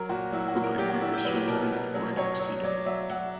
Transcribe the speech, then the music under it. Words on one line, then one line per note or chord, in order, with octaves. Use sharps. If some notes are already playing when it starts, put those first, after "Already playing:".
The bikeway is generally devoid of scenery.
Already playing: F#3 A#4
A#2 F#4
F#3 E4
F#4
A#2
A#4
F#3 G4
F#4
F#3 E4
G4
F#3 B4
B2 A#4
B2
F#3
F#3 C#5
F#3
F#3 D5
F#3 E5
F#3 F#5